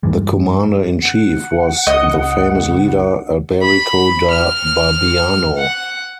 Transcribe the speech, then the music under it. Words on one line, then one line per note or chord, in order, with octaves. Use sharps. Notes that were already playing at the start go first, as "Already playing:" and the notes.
The commander in chief was the famous leader Alberico da Barbiano.
G2 E3 G3 G#3
F#5
C#2 D#5
B5
F6
F#5